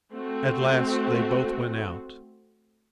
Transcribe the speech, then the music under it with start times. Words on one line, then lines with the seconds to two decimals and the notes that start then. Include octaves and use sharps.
At last they both went out.
0.13 A3 C4 F#4